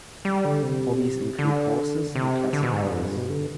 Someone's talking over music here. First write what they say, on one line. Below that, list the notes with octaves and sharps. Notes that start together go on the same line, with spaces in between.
Hobbies include horses and classic cars.
G3
D3
C3
D3
C3
D3
B2
G#2
G2
F2
G2
B2
D3